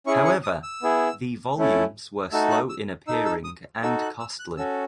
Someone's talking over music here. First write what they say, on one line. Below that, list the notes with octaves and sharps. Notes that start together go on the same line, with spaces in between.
However, the volumes were slow in appearing and costly.
C#4 E4 G#4 C#6
C#6
D#6
E6
B3 E4 G#4
A3 C#4 E4 A4
A3 D#4 F#4 A4 E6
F#6
E6
D#4 A4 E6
E6
D#6
D#4 F#4 A4 E6
F#6
E6
F#6
C#4 F#4 A4 E6